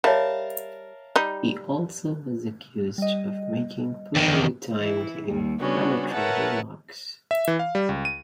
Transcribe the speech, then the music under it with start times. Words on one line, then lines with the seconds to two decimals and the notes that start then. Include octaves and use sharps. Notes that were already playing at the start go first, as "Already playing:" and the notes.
He also was accused of making poorly timed inflammatory remarks.
0.04 G3 A#4 C#5 E5 F5 A5
1.16 G3 D#4
2.98 G3 D#5
4.15 E2 D#3
4.80 E3 E4
5.27 D#2 G3
5.60 C#3 G3 B3 C#4 D4 F#4
6.13 A#4 B4 C#5 E5 F#5 A5
7.31 E5
7.48 E3
7.59 F5
7.75 G3
7.89 C#2
8.05 D#7